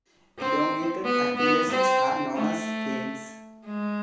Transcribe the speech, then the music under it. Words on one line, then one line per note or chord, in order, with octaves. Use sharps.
Elongated accumulations are known as kames.
C4
B3
B3
C4
A3
G#3